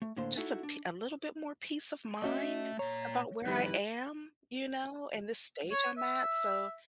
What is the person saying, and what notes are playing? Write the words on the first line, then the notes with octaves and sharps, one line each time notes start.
just a p a little bit more peace of mind about where I am, you know, in this stage I'm at, so,
A3
A2 D3 A#3 C5 C6
C#4 D#4 E4 F#4 A4
D4
A3 C#4 F#4 D#5 E5
A#2 C#5 A#5
F2 D#3 G3 E4 B4
C#5
E5